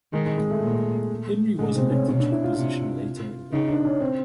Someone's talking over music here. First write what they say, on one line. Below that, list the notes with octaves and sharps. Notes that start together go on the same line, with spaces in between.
Henry was elected to the position later in the year.
D#3 G#3
G#3
G#3
A3
A#2
A2 G#3
C4
C#4
B2 C#4
D4
E4
F4
C3 F4
C#3 D#4
D4
C#4
C4